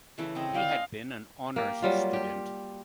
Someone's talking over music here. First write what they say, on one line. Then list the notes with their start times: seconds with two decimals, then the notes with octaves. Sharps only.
He had been an honors student.
0.18 C#3 E3 A3
0.35 C#3 C4 D#5
0.54 E4 D5 F5 G5
0.68 D#5 G#5
1.56 A#3 G4
1.82 F#3 G3 F4
2.13 G4